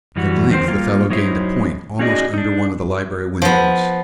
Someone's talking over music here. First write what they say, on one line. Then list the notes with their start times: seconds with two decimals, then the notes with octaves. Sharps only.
At length the fellow gained a point almost under one of the library windows.
0.16 F#2 E3 G3 F#4
0.50 E2 D#3 C4 C5
0.68 G3 A#3 F4
1.10 F#3 D#4 E4 C5 C#5
1.99 C#4 D#4 F#4 G#4 D5 D#5
2.34 D4 D#4
3.42 F3 B3